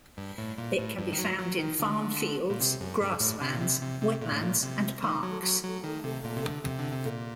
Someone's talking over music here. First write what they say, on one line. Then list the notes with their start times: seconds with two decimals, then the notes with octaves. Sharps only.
It can be found in farm fields, grasslands, wetlands, and parks.
0.17 G2
0.38 A2
0.58 A#2
0.78 A2
0.99 G2
1.12 D#3
1.19 F#3
1.38 F#3
1.59 D#3
1.80 D3
2.50 A#2
2.61 C3
2.80 F#2
3.01 G2
3.20 A2
3.41 C3
3.53 A#2
3.61 C3
3.82 C3
4.01 C3
4.22 A#2
4.32 A2
4.41 A#2
4.63 C3
5.03 D#3
5.23 F#3
5.43 F#3
5.64 F#3
5.84 D#3
6.04 C3
6.24 A#2
6.36 C3
6.45 D3
6.64 C3
6.79 D3
6.92 C3
7.05 A#2